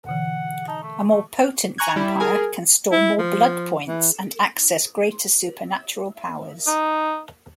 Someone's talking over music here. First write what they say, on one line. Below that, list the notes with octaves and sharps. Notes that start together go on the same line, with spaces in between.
A more Potent vampire can store more blood points and access greater supernatural powers.
B2 D3 E3 F#5
D#4 A5
A3
A3
G#5 A#5 C#6 F#6 G#6
G3 E4
G#4 A#4 G#5
E4
F3
E3
D#4